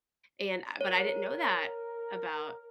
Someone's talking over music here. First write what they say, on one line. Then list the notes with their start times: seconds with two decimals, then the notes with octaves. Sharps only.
and I but, I didn't know that about
0.81 A#4 C#5